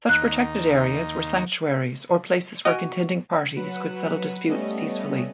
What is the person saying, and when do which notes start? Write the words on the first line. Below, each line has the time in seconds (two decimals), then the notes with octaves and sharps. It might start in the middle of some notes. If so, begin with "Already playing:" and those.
Such protected areas were sanctuaries, or places where contending parties could settle disputes peacefully.
0.09 D#2 D#4 F#6
2.65 F#4 D#5 G#5 F6 D7
3.56 F#3 B4 F#5 E7
4.47 G3 A3 B3 C#4 D#5